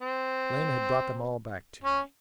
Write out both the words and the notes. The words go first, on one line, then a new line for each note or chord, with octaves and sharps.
Lena had brought them all back to me.
C4
C#4